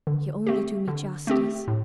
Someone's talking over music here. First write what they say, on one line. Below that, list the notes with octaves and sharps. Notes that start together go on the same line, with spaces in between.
'You only do me justice.
D3
A3 C4 G4
D3
A3 C4 G4
A2